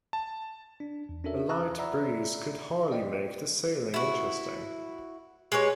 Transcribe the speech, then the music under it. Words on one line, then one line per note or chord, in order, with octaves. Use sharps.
A light breeze could hardly make the sailing interesting.
A5
D4
E2
C#4 D4 F#4 A4 A#4 E5
F5 A5 A#5 D#6 E6 F#6
D5 E5 F#5 A#5 B5 E6
D5 D#5 G5
E4 F#4
G#3 G4 B4 C#5